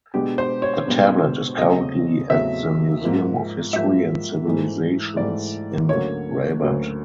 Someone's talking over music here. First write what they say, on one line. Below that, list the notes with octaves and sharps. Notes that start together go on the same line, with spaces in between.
The tablet is currently at the Museum of History and Civilizations in Rabat.
B2 G#3 B3 D4 G4
C5
C#5
B2 G#3 B3 D4
E2 C#3 F#3 A3 C4 D#5
E2 C#3 F#3 A3 C4 E5
G#2 F3 A#3
G#2 F3 A#3 E5
G#2 E3 A3
G#2 E3 A3 D5
D2 D3 F#3 A#3 C#4 C#5
D2 D3 F#3 A#3 C#4